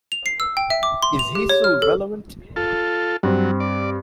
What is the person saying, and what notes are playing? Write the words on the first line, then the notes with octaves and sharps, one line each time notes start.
Is he still relevant?
F7
C7
E6
G5
E5
D6
C6
F7
G4
C#5
F6
A4
F4 A4
G2 F#3 C4
D5